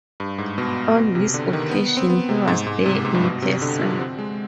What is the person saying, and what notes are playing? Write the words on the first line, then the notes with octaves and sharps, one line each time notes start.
On this occasion he was there in person.
G2
G#2
B2
B2
C3
D3
D#3
B3
C4
B3
C3
G#2
G#2
C3
G#2
G#2
G2
B2
C3
D3
F3
C4
G#3